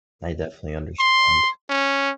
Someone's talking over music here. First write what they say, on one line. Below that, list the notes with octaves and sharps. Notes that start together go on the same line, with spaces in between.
I definitely understand.
C6
C#4